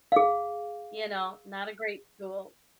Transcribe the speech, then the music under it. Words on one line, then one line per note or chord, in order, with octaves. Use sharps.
you know, not a great school."
G#4 F5